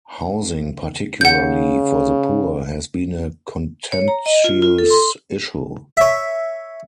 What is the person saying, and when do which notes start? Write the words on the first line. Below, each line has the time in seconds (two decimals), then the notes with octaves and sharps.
Housing, particularly for the poor, has been a contentious issue.
1.21 C#3 F#5 G6
3.92 C#5
4.08 A#5
4.26 D#5
4.44 F4
4.62 F4
4.78 A4
4.90 C6
5.97 C#5 E5